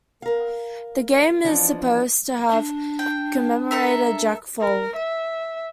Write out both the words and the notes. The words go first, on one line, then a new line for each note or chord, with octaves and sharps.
The game is supposed to have commemorated Jack Foll.
A#4 F5
F2 E3 F3 D4
D4
G5
A4 A#4 E5
A#4
E5